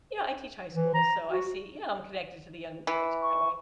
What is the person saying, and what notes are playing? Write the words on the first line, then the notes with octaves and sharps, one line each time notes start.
you know, I teach high school, so, I see you know, I'm connected to the younger generation that way.
E3
A#5
F#4
E3
C#6